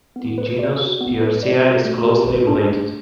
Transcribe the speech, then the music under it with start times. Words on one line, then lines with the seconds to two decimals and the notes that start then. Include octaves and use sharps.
The genus "Pearcea" is closely related.
0.16 B3
0.38 B4
0.59 D5
0.80 F#4
1.01 B3
1.21 B4
1.43 D5
1.64 F#4
1.85 A3
2.05 G4
2.27 B4
2.47 D4
2.69 A3